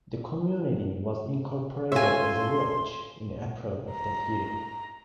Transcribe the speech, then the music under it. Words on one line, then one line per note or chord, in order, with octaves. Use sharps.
The community was incorporated as a village in April of that year.
A#3 C#4 F4 A4 C#5 E5 G#5 C6
A#5